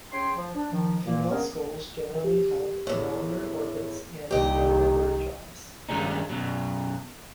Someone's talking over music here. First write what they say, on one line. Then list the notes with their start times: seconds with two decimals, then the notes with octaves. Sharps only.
Female skulls generally have rounder orbits, and narrower jaws.
0.13 C#4 G#4 C#5 G5 C6
0.36 F3
0.56 D4
0.72 D#3 F3
1.06 A#2 A#3
1.30 A#3 B3 C#4 D4 G#4 A#4
2.87 E2 A2
4.31 C2 A#2 D#3 G4 D#5
5.89 G2 D#3 F#3 G#3 C#4 D#4
6.30 F#2 B2 F#3